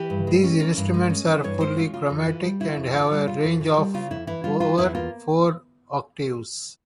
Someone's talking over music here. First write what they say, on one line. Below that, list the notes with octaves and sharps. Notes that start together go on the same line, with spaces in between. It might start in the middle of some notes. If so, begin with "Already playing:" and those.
These instruments are fully chromatic and have a range of over four octaves.
Already playing: E3 G4
G2
G#3
C#4
E3 A#4
G2
G#3
C#4
E3
G2 C#5
G#3 C5
C#4 F4
C#3 F4
F2
E3
G3
C#3 E4
F2
E3 F4
G3
C#3 F4
F2
E3
G3
C#3 F4
F2 E4
E3 E4
G3 F4
E3 F4
E2 E4
A#3 F4